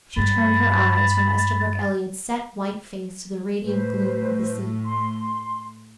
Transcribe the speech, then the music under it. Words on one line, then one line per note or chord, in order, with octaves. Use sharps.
She turned her eyes from Esterbrook Elliott's set white face to the radiant gloom of the sea.
G2 B5 A6
A2 B4 C5
C6